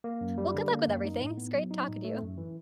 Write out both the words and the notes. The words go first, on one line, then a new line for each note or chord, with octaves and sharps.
well, good luck with everything. It's great talking to you.
A#3
F#2
G3
D3
A#3
F#2
D#4
A2
B3
F#3
D#4
A2
A3
F#2
E3